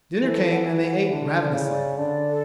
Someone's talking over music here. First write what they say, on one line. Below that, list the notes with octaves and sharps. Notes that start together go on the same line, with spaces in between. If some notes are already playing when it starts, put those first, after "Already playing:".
Dinner came and they ate ravenously.
E3 A4
F#5
E3
E4
D3 E4
D5
C#3
D5
D3 D5
A4